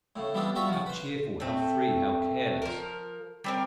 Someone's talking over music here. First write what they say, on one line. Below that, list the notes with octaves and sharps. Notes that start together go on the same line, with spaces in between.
How cheerful, how free, how careless!
A2 C#3
E3 G3 B3 C4 D4 F4
G3 F4 F#4 G#4 E5 F5
F3 F#5
B4 C5
A3 C4
F3 A#4
G3 C4 A#4